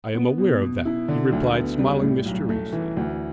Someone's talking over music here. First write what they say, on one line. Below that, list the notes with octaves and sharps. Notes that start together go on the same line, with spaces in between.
"I'm aware of that," he replied, smiling mysteriously.
B3
B2
B2
E4
D3
D2
B3
G3
A2
B1
A3
E3
D2